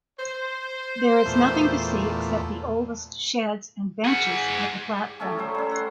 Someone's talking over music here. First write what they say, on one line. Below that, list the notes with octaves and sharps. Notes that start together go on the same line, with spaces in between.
There is nothing to see except the oldest sheds and benches at the platform.
C5
E2 A#2 A3
G#4 F#5
G4
A3 C#4 G4 A4
F#3 A3 C5
G3 C#4
F#5 C6